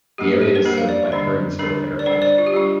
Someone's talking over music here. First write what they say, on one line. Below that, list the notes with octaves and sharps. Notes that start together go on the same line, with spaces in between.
The area is served by Heringsdorf Airport.
G3 A#3 D4 G4
G4
C5
G3 A#3 D4 A#4
F5
D5
D3 G3 D4 C5
D3 G3 D4 A#4
D5
G3 D4 C5
D5
F4
G4
G3 D4 F4